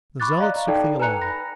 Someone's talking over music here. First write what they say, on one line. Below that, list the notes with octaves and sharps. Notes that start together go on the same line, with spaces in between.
The zealots took the alarm.
B5 C#6 D6 F#6 A6
D5 D#5 F5 A#5 F#6
D#4 A4 D5 G5 A5
B4 G#5 A#5 F#6 C#7 F7
B5 A#6